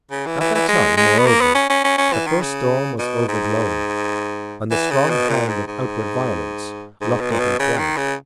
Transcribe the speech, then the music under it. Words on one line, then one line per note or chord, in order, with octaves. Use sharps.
At that time, Moreover, the first storm was overblown, And the strong hand of outward violence Locked up in quiet.
C#3
E3
E3
E3
G#3
G#3
B3
A#3
B3
C#4
C#4
C#4
C#4
E3
D#3
C#3
B2
G#2
E3
C#3
B2
A#2
G#2
G#2
G#2
B2
A#2
B2
C#3
D#3
C#3